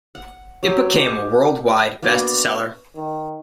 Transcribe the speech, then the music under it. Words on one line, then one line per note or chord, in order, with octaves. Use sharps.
It became a world-wide best seller.
F#5
F#3 G4
G#3 G4
A#3 B3 D4 F#4
D#3